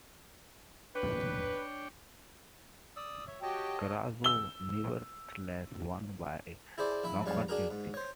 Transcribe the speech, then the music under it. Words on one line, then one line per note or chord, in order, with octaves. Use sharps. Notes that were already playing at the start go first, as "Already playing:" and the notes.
Carazo nevertheless won by a knockout in six.
D4 B4 C#5 G5
D5 D#6 E6
C#5 E5
F#4 G4 C#5 D#5 G5 A5
E6 G7
E4 G#4 C5 D5
A#1 E4 E5 B5
F2 G#2 G3 C#5 F5 A5
D4 F#4 G#4 A#4 A#5
G#2
C5 C#5